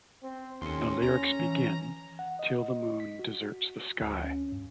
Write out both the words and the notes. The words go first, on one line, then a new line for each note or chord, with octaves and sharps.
The lyrics begin: "Till the moon deserts the sky".
C4
D#2 C#4 A4 C6
A#5
E3
F#5
D#5
B6
F#4
D2
C#4
G2